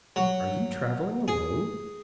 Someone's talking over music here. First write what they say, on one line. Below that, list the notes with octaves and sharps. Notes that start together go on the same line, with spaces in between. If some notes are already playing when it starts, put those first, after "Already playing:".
"Are you traveling alone?"
F#3
G#4